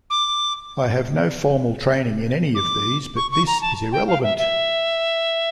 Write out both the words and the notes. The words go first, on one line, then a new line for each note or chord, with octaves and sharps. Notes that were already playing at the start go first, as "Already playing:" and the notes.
I have no formal training in any of these, but this is irrelevant.
D6
D6
C#6
C#6
A#5
A5
G5
F5
E5
E5